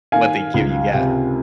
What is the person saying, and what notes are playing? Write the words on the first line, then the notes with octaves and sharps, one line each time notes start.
what they give you, yeah.
D#3 F5 G#5
C#2
C3